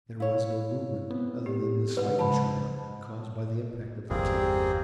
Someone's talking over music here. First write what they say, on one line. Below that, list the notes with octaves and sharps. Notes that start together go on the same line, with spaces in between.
There was no movement other than a slight tremor caused by the impact of the kick.
E4 C#5 F5
B3 C4
G4
F2 G#2 B4
G#2 C#3 F3 A5 B5
G1 E2 G3 A#3 C4 G#4